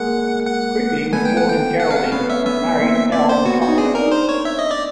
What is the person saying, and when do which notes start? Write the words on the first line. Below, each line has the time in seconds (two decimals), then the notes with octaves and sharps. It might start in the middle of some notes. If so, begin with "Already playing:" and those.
Quigley was born in Geraldine, and married Al McLauchlan.
Already playing: G#3 A#3 F#5
0.46 F#5
1.12 A3 B3 G#5
1.25 G5
1.37 F#5
1.49 G5
1.80 F#5
1.91 F5
1.95 F#5
2.12 B3 C#4 F5
2.30 E5
2.45 B3 C#4 E5
2.78 A#3 C4
3.12 A#3 C4 D5
3.29 C5
3.45 B3 C#4 F#4
3.62 F#4
3.68 D#4
3.78 C4 D4 G#4
3.95 A#4
4.12 C5
4.29 C#5
4.45 E5
4.59 D#5
4.71 D5